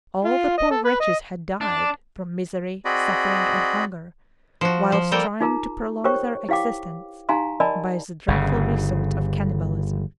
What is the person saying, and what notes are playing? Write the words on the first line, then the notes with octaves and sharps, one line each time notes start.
All the poor wretches had died from misery, suffering, and hunger, whilst trying to prolong their existence by the dreadful resource of cannibalism.
F4
D#5
A4
B4
D#5
D4
C4 F#4 G#4 D5 D#5 B5
F3 F#4
F3
G3 A#3 A4 A#4 G5
D#4 F4 G#4 A#4 A#5
G4 A#4 C5 C#5 G5 C#6
E4 G4 F5 G5 D6
D#4 G4 F5 G#5 A#5 C6
A#4 D5 D#5 G#5 A5 B5
G1 C#3